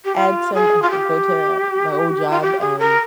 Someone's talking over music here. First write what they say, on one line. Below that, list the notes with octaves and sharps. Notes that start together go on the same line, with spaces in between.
add some I could go to my old job, um
G4
F4
G#4
F4
G4
F4
G4
G#4
A#4